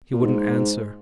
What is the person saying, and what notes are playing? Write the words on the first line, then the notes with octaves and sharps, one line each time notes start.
He wouldn't answer.
A#2
G#2